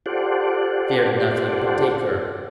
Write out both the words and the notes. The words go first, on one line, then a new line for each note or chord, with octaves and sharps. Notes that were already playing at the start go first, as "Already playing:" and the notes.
'Fear nothing, but take her.'
F4 G4 A4 C5 D5 F#5